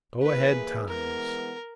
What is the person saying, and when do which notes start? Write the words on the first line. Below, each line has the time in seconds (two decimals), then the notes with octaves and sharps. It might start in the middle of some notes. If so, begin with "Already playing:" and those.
Go-ahead Times!
0.22 E3 A#3 E4 G#4 B4
0.87 E3 G#3 B3 A#4